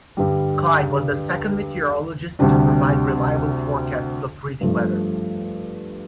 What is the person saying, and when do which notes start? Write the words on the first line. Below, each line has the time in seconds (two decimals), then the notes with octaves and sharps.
Cline was the second meteorologist to provide reliable forecasts of freezing weather.
0.17 G2 D3 G3
2.39 D2 C3 G3 D4
4.61 G2 F3 A3